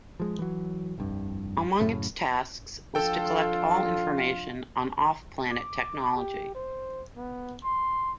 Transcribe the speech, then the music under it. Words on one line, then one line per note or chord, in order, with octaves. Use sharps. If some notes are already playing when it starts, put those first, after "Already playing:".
Among its tasks was to collect all information on off-planet technology.
F3 G#3
E3 F#3
F1 C2 G2
F#2 A2 C#3
F3 D4 F4 A4 G5
D6
G4
C5
B3
C6